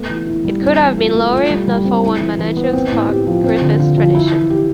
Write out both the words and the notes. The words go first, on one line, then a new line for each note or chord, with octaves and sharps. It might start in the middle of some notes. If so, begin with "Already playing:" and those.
It could have been lower if not for one of manager Clark Griffith's traditions.
Already playing: A3 B3
E3
E4
G3
C4
E3
F4
A3
F4
G3
G3
C4
E4
E3
E3
B3
C4
A2
G4
F3
C4
D3
F4
F3
E4
E3
G4